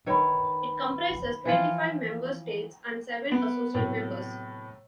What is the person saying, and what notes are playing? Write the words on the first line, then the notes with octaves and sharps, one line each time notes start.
It comprises twenty-five member states and seven associate members.
D#3 B4 C#5 B5
E3 F3 F4
B3 D7
A2 C3 F#3